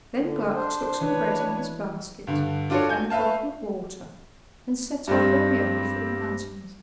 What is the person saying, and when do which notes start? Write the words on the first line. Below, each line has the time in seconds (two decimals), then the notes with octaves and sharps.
Then Gluck took some bread in his basket, and the bottle of water, and set off very early for the mountains.
0.14 D3
0.53 D4 C5
1.00 E3 G#3 F#4 B4 C#5
2.27 G2 D3
2.70 D4 F4 F#4 A4 C#5
2.89 G#5 G6
3.10 B4 E5 F5 A5
5.08 G2 G3 C4